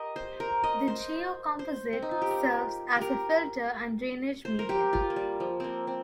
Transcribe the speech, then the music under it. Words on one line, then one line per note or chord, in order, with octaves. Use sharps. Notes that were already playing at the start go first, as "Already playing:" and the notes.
The geocomposite serves as a filter and drainage medium.
Already playing: G4 A#4 D#5
C5
A#4
D#5
C5
C5
C4
D#4
F4
G4
A#4
G4
A#4
C5
A#4
G4
F4
A#3
G3
F3
A#3 C4
C4